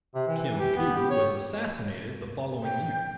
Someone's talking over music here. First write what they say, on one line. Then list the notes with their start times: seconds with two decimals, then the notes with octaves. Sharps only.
Kim Koo was assassinated the following year.
0.15 C3
0.27 E3
0.60 G4
0.77 B3
0.97 G4
1.10 C#5
2.63 G5